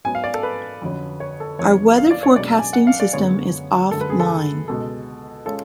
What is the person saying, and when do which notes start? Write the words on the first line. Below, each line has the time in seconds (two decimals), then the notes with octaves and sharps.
Our weather forecasting system is offline.
0.04 G#2 F#3 B3 G#5
0.15 F5
0.24 D5
0.34 A4
0.43 B4
0.82 F2 D3 F#3 C#4
1.20 C#5
1.40 A4
1.59 F2 F3 G#3 B3 D4 C#5
1.98 F5
2.11 D5
2.23 C#5
2.36 B1 B2 G#3 B3 D4 D5
2.59 G#5
2.73 F#5
2.87 F5
3.00 D5
3.13 F#2 D3 G#3 B3 C#5
3.91 F#2 D3 G#3 A4
4.01 B4
4.10 G#4
4.20 A4
4.68 C#2 B2 G#3 A4
5.45 G#3 C#4 F4 A4